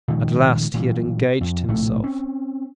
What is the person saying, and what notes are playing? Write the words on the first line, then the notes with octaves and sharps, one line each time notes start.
At last he had engaged himself.
A#2 D#3 F3 G#3
A#2 E3 F#3 G3
F2
A#1 A2 C3 A3
C4 C#4